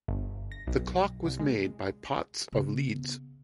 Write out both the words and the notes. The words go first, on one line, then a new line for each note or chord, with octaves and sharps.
The clock was made by Potts of Leeds.
G1
A#6
B1
C2
G#3
C#3 B3